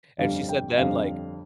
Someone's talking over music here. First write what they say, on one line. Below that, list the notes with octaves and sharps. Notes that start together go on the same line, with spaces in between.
And she said then, like,
G1 F2 D3 G3 C4 F5
G5
G1 F2 D3 G3 C4 F5